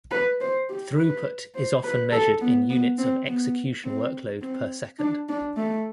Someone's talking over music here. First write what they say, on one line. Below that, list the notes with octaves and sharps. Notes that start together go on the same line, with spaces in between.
Throughput is often measured in units of execution workload per second.
B4
C5
G4
B4
C5
B4
A4
B3
B3
C4
B3
C4
C4
D4
D4
A3